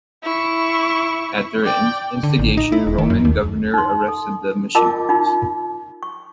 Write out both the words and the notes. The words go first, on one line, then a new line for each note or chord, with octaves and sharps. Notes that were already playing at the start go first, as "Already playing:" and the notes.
At their instigation, Roman Governor arrested the missionaries.
E4 C#6
D5 G5
D3
A1
D#4
E4
E1
D#3
F#2
D#2
D#4 C6
A4
F4 A#4 D#5 A5 D6 E6
D#4 F4
C#6